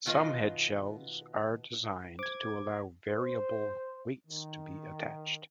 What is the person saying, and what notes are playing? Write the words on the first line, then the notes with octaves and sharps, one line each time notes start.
Some head-shells are designed to allow variable weights to be attached.
B2 D#3 F4 A#4 B4 D#5
C5 D6 G#6
C5
D#3